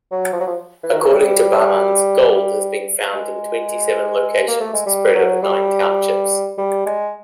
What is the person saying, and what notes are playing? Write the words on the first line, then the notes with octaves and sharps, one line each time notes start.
According to Barnes, gold has been found in twenty-seven locations spread over nine townships.
F#3
F3
F#3
F3
E3
D#3
E3
G3
G#3
A#3
A3
G#3
G3
F#3
G3
G3
G#3